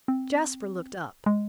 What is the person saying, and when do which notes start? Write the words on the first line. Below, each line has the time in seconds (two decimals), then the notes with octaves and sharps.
Jasper looked up.
0.08 C4
1.26 G#3